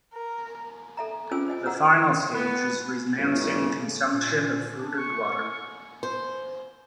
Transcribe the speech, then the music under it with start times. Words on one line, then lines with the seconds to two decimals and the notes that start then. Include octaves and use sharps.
The final stage is renouncing consumption of food and water.
0.13 A#4
0.97 A4 E5 A#5
1.31 C#4 F4 G#4 C5 G#5 E6
1.48 C5 D#5 G#5
1.66 F#5 A#5 E6
2.34 B3
3.17 G1 A2 C#3
4.10 A#2
4.77 D4
4.98 C#6
6.03 C5